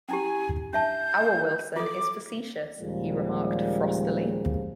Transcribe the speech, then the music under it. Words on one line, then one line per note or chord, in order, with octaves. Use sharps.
"Our Wilson is facetious," he remarked frostily.
C#4 E4 G4 G#5
D4 E5 A5 G6
F4 A4 D6
D#2 A#2 C#3 F3 G3 G#3